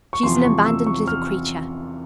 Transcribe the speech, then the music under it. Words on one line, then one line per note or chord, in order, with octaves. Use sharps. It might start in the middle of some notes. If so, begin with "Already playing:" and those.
'She is an abandoned little creature.'
C#6
E2 C3 F3 C6
C#6
E6
C#6
F6